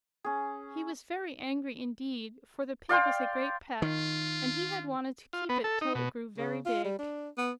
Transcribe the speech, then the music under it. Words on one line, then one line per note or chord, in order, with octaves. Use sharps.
He was very angry, indeed, for the pig was a great pet, and he had wanted to keep it till it grew very big.
C#4 G#4
D5 F5 G5 C6
D#3 F4
F4
B3
A4
D#4
B2
C#3
F4
G3
D4
B3